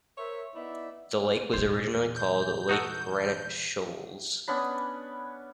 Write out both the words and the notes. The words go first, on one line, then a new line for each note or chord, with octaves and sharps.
The lake was originally called Lake Granite Shoals.
A#4 C5 C#5 E5
B3 D#4 E4 D5 E5
E2 A#2 C5
G6
D#4 F#4 A4
B3 C#4 D4 B5